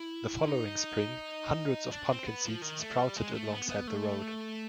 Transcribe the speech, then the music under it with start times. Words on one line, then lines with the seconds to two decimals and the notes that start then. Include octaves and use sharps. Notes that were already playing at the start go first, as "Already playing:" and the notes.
The following spring, hundreds of pumpkin seeds sprouted alongside the road.
Already playing: E4
0.48 D#4
1.91 D4
2.09 C4
2.26 B3
2.45 F3
2.62 D#3
2.80 A3
2.98 G3
3.16 G#3
3.34 A3
3.52 B3
3.69 B3
3.88 A3